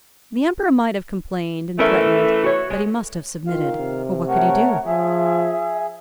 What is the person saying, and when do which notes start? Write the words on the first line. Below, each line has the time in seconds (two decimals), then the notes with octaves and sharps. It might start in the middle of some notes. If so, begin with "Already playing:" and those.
The Emperor might have complained and threatened; but he must have submitted; for what could he do?
1.79 E3 A3 C#4 A#4 E5
2.43 F#4 C#5
2.70 G#3
3.47 D#3 F4 F5
3.80 C3
4.28 A3 A#4 C#5 F#5
4.86 F3 G#4 E5